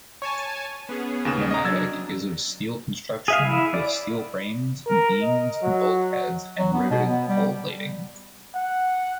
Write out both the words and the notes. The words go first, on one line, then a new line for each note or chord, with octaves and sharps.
"Nomadic" is of steel construction, with steel frames, beams, bulkheads and riveted hull plating.
C#5 G#5 A5 C#6
B3 C#4 G#4
D#2 C#3 E7
D#5 A#5
F#3 D4 E6 G#6 A6
G#4 E5 F5
E4
D5
A#4
D#5
F#3
F#3
B3
B2
B3
G3
F#5